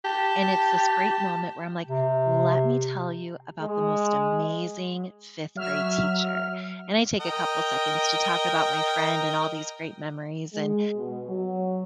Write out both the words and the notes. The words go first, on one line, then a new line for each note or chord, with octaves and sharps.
And it's this great moment where I'm like, "Let me tell you about the most amazing fifth-grade teacher," and I take a couple seconds to talk about my friend and all these great memories and
G4 A5
C3
G#3
F#3 E5 F6
A#4 D#5 G5
G#3
B2
F#3